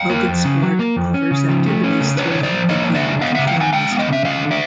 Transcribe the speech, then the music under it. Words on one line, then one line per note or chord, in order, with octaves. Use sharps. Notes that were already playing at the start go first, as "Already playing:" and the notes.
Logansport offers activities throughout the year for families to enjoy.
Already playing: F5 G5
A#3
F2
C#3
F#3
A#3
F2
C#4
C#3
F3
A3
C#4
C#3
D4 B4 C#5
C#3 C#5
C5 D5
F3
A#3 C#5 D#5
D4
D5 E5
C#3
B3 D#5 F5
C#3 E5 F#5
F5 G5
E3 F#5 G#5
G#3 F5 G5
B3
D#5
C#3 E5
C#4 D#5 F5
D3
D5 E5